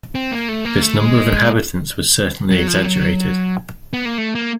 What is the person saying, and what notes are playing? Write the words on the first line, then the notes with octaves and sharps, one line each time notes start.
This number of inhabitants was certainly exaggerated.
C4
A#3
A3
A#3
A3
G#3
F#3
F3
F#3
B3
A#3
A3
A#3